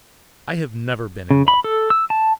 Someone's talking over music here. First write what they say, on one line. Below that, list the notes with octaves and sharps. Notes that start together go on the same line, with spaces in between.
"I have never been in love."
C#3
B5
A4
E6
A5